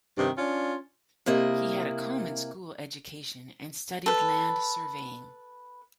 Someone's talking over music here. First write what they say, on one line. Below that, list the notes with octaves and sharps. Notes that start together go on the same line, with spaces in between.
He had a common-school education, and studied land surveying.
G2 C3 D#3
C#4 D4 F4
C3 A#3 E4 D#5
A4 B4